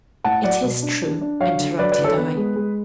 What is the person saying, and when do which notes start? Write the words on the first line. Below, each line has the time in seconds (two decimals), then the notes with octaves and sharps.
'It is true,' interrupted I.
0.24 A2 F#5 A5
0.44 F#3 D5 F#5
0.63 B2
0.83 D4
1.02 D4
1.21 D4
1.40 F#3 C#5 F5
1.60 D3
1.79 F#3 B4 D5
1.92 B4 D5
1.98 D3
2.04 A4 C#5
2.17 B3 B4
2.37 G#3
2.56 G#3